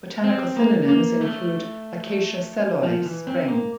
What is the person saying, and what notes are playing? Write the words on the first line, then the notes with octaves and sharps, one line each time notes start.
Botanical synonyms include "Acacia selloi" Spreng.
C4
A#3
A#3
A3
F3
E3
C4
A#3